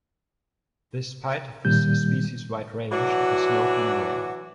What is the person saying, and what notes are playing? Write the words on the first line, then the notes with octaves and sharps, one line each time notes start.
Despite this species' wide range, it is locally rare.
A#2 D#3 G3 G6
E3 F#3 D4 F#4